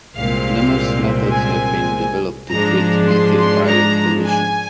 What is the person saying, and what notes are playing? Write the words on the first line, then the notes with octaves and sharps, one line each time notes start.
Numerous methods have been developed to treat methyl violet pollution.
C2 A#2 G#3 C4 F5
G#5
G#2 F3 G#3 D4 A#5
C6
C6
A#5
G#5